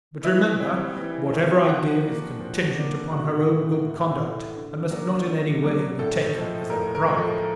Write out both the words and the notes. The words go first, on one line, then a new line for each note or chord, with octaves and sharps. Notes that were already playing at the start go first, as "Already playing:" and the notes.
But remember, whatever I give is contingent upon her own good conduct, and must not in any way be taken as a bribe.
E3 E4 E5
G3 C4
E3
G3 C4
G5
F3 F#4 F#5
A#3 D4
F3
A#3 D4
A2 F#4 F#5
E3 A3
A2
E3 A3
D3
F#3 A#3 D4
D3
F#3 A#3 D4
A2 A4
F3 G#3
A2 A#4
A#4
F3 G#3
A4